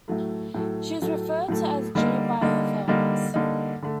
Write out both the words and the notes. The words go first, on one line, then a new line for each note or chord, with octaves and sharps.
She is referred to as "Jee" by her fans.
A2 F#3 A3
A2 F#3 A3
A2 F#3 A3
A2 F#3 A3
D3 G3 A#3 D#4
D3 G3 A#3 D#4
D3 G3 A#3 D#4
D3 G3 A#3 D#4
D3 A3